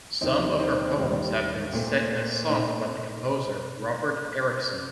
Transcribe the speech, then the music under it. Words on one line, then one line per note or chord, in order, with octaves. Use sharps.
Some of her poems have been set as songs by the composer Robert Erickson.
D#2 D#3 G3 C4 D#4
C4 D#4
D#2 D#3 G3
A#2 A3 C4
A#2 A3 C4 D#4